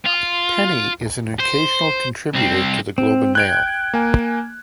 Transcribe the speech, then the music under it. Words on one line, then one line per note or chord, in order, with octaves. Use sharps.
Penny is an occasional contributor to the "Globe and Mail".
F4
C5
C2 C4
C4
G5 F#6 G#6 D7
A#3 G#5